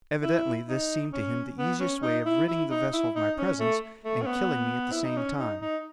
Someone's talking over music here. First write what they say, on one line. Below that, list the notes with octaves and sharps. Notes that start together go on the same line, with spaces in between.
Evidently this seemed to him the easiest way of ridding the vessel of my presence and killing me at the same time.
E4
D#4
C#4
B3
C#4
D#4
E4
E4
D#4
E4
D#4
C#4
A3
A3
C#4
B3
E4
D#4
C#4
D#4
D#4